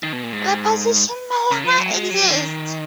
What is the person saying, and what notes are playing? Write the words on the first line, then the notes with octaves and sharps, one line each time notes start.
The position no longer exists.
D#3
B2
A#2
G#2
C#3
F3
F#3
G#3
F#3
D#3